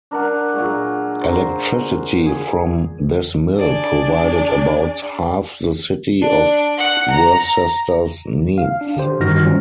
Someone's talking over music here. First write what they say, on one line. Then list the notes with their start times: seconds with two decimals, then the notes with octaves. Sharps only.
Electricity from this mill provided about half the city of Worcester's needs.
0.11 D4 A#4 D5 F#5
0.53 A#2 F#3 G#3
1.21 C5 A#5
2.26 G#4
3.57 D4 G#4 D5
6.21 D4
6.78 F#5
7.11 A#5
8.58 F5
8.81 D4
8.97 D3 G4 C5
9.20 G2 D#3 D#4 F#4 F6 A#6
9.43 F3 G3 C#4